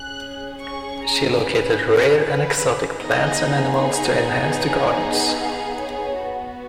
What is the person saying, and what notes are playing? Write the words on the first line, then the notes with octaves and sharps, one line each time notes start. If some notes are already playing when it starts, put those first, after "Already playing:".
She located rare and exotic plants and animals to enhance the gardens.
Already playing: C#4 G#4 F#6
C#6
A#5
B4
B4
B3 D#4 G#4 D#5
C#5
C#5
D#5
F5
C#5
B3 F#4